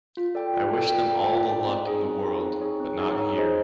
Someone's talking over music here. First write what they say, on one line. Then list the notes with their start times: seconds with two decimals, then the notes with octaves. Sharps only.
I wish them all the luck in the world, but not here...
0.17 F4
0.35 A4 D5 G5
0.54 F4
0.73 A4 D5 G5
0.92 F4
1.11 A4 D5 G5
1.29 F4
1.48 A4 D5 G5
1.67 C4
1.86 D#4 G#4 C#5
2.05 C4
2.23 D#4 G#4 C#5
2.42 C4
2.61 D#4 G#4 C#5
2.80 C4
2.99 D#4 G#4 C#5
3.17 D#4
3.37 G#4 C5 D#5